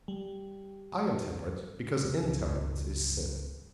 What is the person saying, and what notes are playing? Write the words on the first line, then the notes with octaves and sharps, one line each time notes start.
I am temperate because intemperance is sin.
G3
C#2 G2